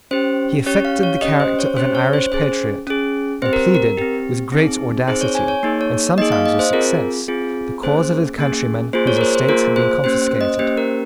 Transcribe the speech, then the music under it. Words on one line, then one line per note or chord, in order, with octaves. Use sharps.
He affected the character of an Irish patriot, and pleaded, with great audacity, and sometimes with success, the cause of his countrymen whose estates had been confiscated.
C#4 G4 C5
C#4 G4 C#5
F5
C#5
C#4 G4 D#5
C5
C#5
C#4 G4 C5
C#5
C5
C#4 G#4 C5
C#4 G#4
C4 G4 C5
A#4
A#4
C4 G4
C4 D#4 G#4
C4 D#4 G#4 C5
C#5
G#5
C#5
A#3 D#4 G#4
C#5
A#3 D#4 G#4 D#5
F5
D#5
C5
C4 F4 G#4 A#4
C4 F4 G#4
A#3 C#4 G#4 C5
A#3 C#4 G#4
A#3 F4 G#4 C5
C#5
A#4
C5
C5
A#3 F4 G#4 A#4
C5
A#3 C#4 G4 C5
C5
D#5
A#3 C#4 G4 C5
A#4